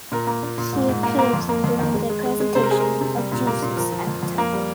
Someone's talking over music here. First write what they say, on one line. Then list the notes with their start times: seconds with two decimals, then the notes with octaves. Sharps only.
She appears in during the presentation of Jesus at the Temple.
0.12 A#2 A#4
0.27 A#3
0.43 A#2
0.58 A#2
0.73 G#2
0.88 G#2
1.03 A#3
1.19 A#3
1.34 F2
1.49 A#3
1.64 F2
1.79 D#3
1.94 G#3
2.10 G#3
2.25 G#3
2.40 G#3
2.55 C3 C5
2.63 A#4
2.70 G#3 G#4
2.80 A#4
2.86 G#3
3.01 C3
3.16 G3
3.32 A#2
3.47 A#3
3.62 A#2
3.77 F3 A#4
3.92 F3
4.07 F2
4.23 F2
4.38 A#3
4.53 G3